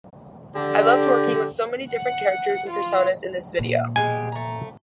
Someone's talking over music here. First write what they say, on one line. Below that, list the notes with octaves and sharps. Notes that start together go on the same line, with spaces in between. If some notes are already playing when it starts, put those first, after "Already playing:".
I loved working with so many different characters and personas in this video.
D3 G4
F#5
F4
A#2
B2 G#3 G4 G#5
A3 A#5